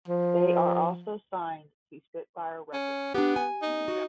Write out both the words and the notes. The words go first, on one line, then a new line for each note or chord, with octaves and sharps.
They are also signed to Spitfire Records.
F3
C#4
B3 D4 G4
G#5
D#4
F#4